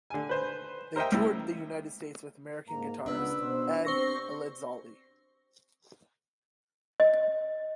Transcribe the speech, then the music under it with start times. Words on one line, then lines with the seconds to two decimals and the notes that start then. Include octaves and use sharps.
They toured the United States with American guitarist, Ed Elizalde.
0.10 D3 G#5
0.29 B4 C5
0.96 A#4 C5 D#5 E5 G5
1.12 C#2 E4
2.69 G#2 A#3 A#5
3.06 C#2 B3 D4 B4 E6
3.40 B2 C5
3.85 C4 G4 C5 C#6 A#6
7.00 D#5